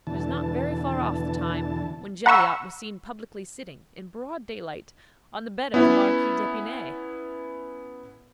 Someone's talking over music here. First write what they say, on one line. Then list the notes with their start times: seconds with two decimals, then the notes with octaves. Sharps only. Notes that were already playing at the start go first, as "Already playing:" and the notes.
It was not very far off the time when Jelyotte was seen publicly sitting, in broad daylight, on the bed of the Marquise d'Epinay.
0.07 E2 B2 D3 E3 A5
2.26 F#5 A#5 B5 C#6 E6
5.74 B3 C#4 E4